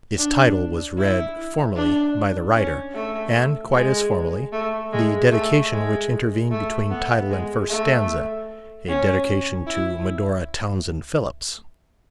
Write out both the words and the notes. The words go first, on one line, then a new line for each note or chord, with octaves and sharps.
Its title was read, formally, by the writer; and, quite as formally, the dedication which intervened between title and first stanza,--a dedication to "Medora Townsend Phillips."
D4
E4
D4
C#4
A3
G#3
A3
G#3
A3
G#3
A3
B3
G#3
A3
C#4
E4